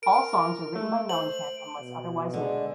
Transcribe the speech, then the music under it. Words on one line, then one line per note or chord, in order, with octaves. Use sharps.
All songs were written by Mellencamp unless otherwise noted.
A#4 D7
A3
C5 F#7
B2
D3 G#3